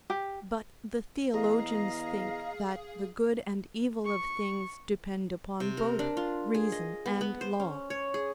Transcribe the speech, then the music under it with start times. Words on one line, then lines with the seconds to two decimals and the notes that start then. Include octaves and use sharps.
But the theologians think that the good and evil of things depend upon both reason and law.
0.10 G4
1.34 E2 G#4 D#5 F5 A#5
4.06 C#6
5.60 C3
5.77 A#4
5.99 D4
6.17 F4
6.54 G#4
6.72 D#5
7.06 B3
7.21 B3
7.41 C5
7.60 C#4
7.90 C#5
8.14 G#4